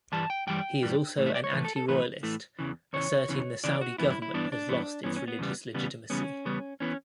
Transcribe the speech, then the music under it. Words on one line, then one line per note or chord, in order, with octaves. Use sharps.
He is also an anti-royalist, asserting the Saudi government has lost its religious legitimacy.
G2 E3 G3 A5
G5
G2 E3 G3 G5
G2 E3 G3
A2 E3 A3
E5
D5
C#5
A2 E3 A3 B4
A4
A4
A2 E3 A3 B4
A2 E3 A3
E2 C#3 E3
E2 C#3 E3 C#5
E2 C#3 E3
E2 C#3 E3 D5
F#4
G2 E3 B3 E4
E4
E4
G2 E3 B3 D4
D4
G2 E3 B3
G2 E3 B3 C#4
C#4
B3
E2 C#3 G3 B3
E2 C#3 G3 B3
E2 C#3 G3 B3 C#4
E2 C#3 G3 B3
E3 B3 C#4